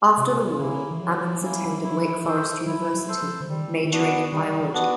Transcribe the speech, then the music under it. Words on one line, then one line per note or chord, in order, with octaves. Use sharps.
After the war, Ammons attended Wake Forest University, majoring in biology.
C3 F#3
D3 A#3 C#4 E4
E3
F3 F#3
F#3 A#3 C#4 E4
F#3
F#3 E4
F3
E3
F3
E3 A4 C5
F#3 E4
F#3
A4 C5
F3
D3
D#3 G3
D#3
E3 B3 D4 F#4
D#3 G3
E3
B3 D4 F#4